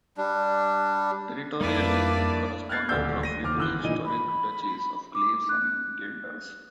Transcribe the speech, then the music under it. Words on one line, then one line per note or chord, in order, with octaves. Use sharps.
Territorially they corresponded roughly to the historic duchies of Cleves and Guelders.
G3 D4
F2 G3 A#3 D4 E4 B4 D5 F5
F6 F#6 G#6 A6 C7
D#1 D2 D3 D5 E6 G6
A#6 D#7
D#2 D6 F6
G1 E3 E6 F#6 G7
A#2 E3 D#4 D#7
B5
D6
F#6